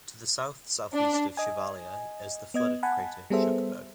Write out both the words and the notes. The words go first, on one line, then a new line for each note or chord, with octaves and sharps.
To the south-southeast of Chevallier is the flooded crater Shuckburgh.
D4
D#5 G#5
B3 D#5 G#6
F#5 G#5 A5 B5
G3 B3 G#4 A4 C5 E5